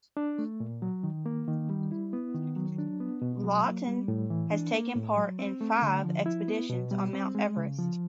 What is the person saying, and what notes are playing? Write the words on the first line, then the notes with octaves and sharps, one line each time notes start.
Laughton has taken part in five expeditions on Mount Everest.
D4
A3
A#2
F#3
D#3
A#3
D#3
G3
E4
B3
D#3
F#3
D4
B3
B2
F#3
A#3
G3
A2
E3
D4
A#3
A2
F#3
C4
A3
D3
F3
E4
B3
B2
G3
C4
G#3
C#3
F3